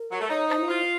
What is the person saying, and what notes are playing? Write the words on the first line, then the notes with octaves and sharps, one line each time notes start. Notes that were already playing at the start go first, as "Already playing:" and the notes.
I mean,
Already playing: A#4
F#3
A3
D#4 C#5
C5
F4 C5